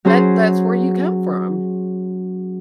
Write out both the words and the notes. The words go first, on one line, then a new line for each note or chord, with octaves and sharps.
That that's where you come from,
F#3 C#4 G#4 C5